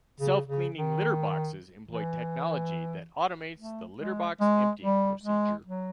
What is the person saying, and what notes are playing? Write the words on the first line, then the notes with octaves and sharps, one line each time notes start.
Self-cleaning litter boxes employ technology that automates the litter box emptying procedure.
C#3
C#3
D#3
E3
A3
G#3
G#3
G3
G#3
F#3